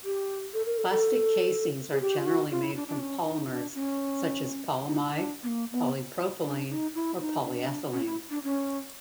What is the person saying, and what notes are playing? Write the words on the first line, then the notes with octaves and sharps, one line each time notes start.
Plastic casings are generally made from polymers such as polyamide, polypropylene, or polyethylene.
G4
A4
A#4
A4
A4
G#4
G4
F4
F#4
F4
E4
D4
D4
C#4
D#4
D4
C#4
D#4
D4
B3
A#3
B3
D4
D#4
E4
D#4
D4
C#4
E4
D4
C#4